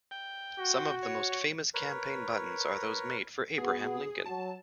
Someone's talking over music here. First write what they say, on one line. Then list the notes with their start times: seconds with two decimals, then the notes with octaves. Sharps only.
Some of the most famous campaign buttons are those made for Abraham Lincoln.
0.11 G5
0.58 F#4
1.03 C#5
1.74 A#4 B4 C#5
3.58 B3 F#4 G#4
4.26 F#3 A5